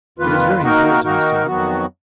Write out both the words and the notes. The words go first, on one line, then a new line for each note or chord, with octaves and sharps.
"It is very important to me, sir."
F2 D#3 A#3 F4 B4
D#3 A#3 D#4 F#4 A#4
D#3 A#3 D#4 F#4 A#4
F2 D#3 F#3 B3 F#4